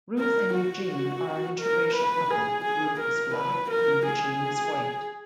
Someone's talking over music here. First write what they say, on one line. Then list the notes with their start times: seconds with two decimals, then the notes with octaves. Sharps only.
Ruth and Eugene are an interracial couple; Ruth is black and Eugene is white.
0.19 A#4
0.54 F#4
1.60 A#4
1.95 B4
2.30 G#4
2.65 G#4
3.00 A#4
3.35 B4
3.71 A#4
4.06 G#4